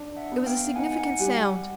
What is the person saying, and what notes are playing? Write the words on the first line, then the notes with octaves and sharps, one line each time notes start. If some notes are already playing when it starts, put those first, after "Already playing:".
It was a significant sound.
Already playing: D4
E5 F#5
B3
F5 G5
D#4 F#5 G#5
F#5 G#5
G3 F#5 G#5